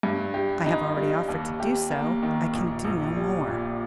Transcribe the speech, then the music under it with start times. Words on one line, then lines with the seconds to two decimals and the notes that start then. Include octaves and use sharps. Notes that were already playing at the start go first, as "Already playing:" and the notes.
I have already offered to do so--I can do no more.
0.03 G2
0.34 G4
0.66 D#4
0.97 G3
1.28 D#2
1.60 G4
1.91 A#3
2.23 D#3
2.53 A#1
2.85 A#1
3.16 G3
3.47 A#2